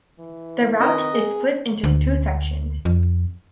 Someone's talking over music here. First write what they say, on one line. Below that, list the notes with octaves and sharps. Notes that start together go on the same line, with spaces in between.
The route is split into two sections.
E3
D#3 C4 A#4 B4 D#5
G#4
D2
F2